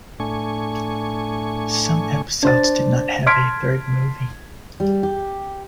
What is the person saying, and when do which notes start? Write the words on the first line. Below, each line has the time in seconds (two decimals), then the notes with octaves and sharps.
Some episodes did not have a "third" movie.
0.20 A2 A3 D4 G#5 C#6
2.43 D4 C5 A6
3.26 A5 C6 F6 G#6 B6 D7
4.80 G3
5.03 G4